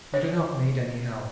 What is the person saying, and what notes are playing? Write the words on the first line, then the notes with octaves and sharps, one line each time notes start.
You do not need any help.
C#5